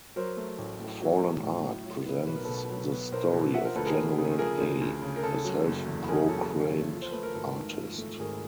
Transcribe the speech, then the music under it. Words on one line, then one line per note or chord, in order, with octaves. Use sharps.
"Fallen Art" presents the story of General A, a self-proclaimed artist.
F#3 A#4 C5
A3
A1
A2
F#3
A3
A1
A2
F#3
B3
B1 B4
A#4
B2 A4 B4
F#3
B3
B1 A#4 C5
B2
F3 E5 F#5
A#4 C5
D2 A4 B4
G#4 A#4
D2
C#3
F3 G#4 A#4
D2
D2
C#3
A#4
C#3 A4
F#3
F#1
E2
C#3 G#4 A#4
F#3 A4
F#1
E2
F3
C5
A3 B4
A#4
G#1 A4
G#2
F3
A3
G#1 G#4 A#4